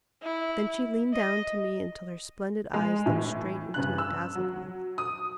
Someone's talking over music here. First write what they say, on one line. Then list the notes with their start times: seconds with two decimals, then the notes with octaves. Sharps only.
Then she leaned down to me until her splendid eyes looked straight into my dazzled ones.
0.23 E4
1.13 D#5
2.74 G#3
3.06 A2 E3
3.74 G2 C#3 F#6
3.98 E6
4.35 F#3
4.98 D#6